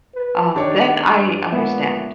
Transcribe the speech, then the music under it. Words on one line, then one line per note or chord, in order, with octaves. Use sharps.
um, then I understand.
B4
D#3 D4 G4 C#5 D5
G2
A#2 G#3 B3 E5